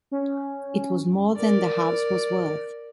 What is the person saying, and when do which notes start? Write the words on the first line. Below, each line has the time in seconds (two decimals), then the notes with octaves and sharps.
It was more than the house was worth.
0.12 C#4
1.36 A#4 D5